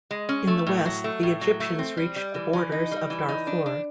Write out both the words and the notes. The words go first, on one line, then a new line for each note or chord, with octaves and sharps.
In the west the Egyptians reached the borders of Darfur.
G#3
C#4
A3
A2
F#3
A3
A2
F#3
A3
C4
G3
G3
E3
E3
D#4
G3
E3
D#4
D4
D4